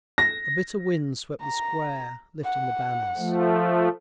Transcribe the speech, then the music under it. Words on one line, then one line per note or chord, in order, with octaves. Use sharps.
A bitter wind swept the Square, lifting the banners.
A#6
A#5
F#5
F3 A3